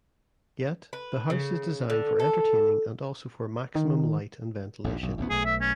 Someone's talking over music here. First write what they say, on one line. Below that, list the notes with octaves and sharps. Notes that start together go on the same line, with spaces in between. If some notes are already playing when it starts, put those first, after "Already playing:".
Yet the house is designed for entertaining and also for maximum light and ventilation.
B4
C#3
D3
A4
D#3
A#1 D#2 G#2
B1
A1 D2 B3
B1 A3 G#4
E5
C#4